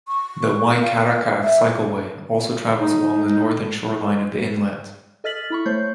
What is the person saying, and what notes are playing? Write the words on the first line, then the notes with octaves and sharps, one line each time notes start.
The Waikaraka Cycleway also travels along the northern shoreline of the inlet.
C#6
F5
E5
D#4
A4 D#5 F6 A6 B6 F#7
E4 B5 C#6
A3 C5 C#5 G6